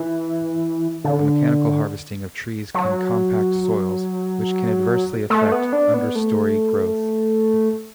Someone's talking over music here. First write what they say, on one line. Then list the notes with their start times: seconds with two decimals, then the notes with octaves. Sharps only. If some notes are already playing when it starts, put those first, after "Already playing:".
The mechanical harvesting of trees can compact soils, which can adversely affect understory growth.
Already playing: E3
1.04 D3
2.75 F#3
5.30 A3
5.52 B3
5.73 D4
5.94 B3
6.15 A3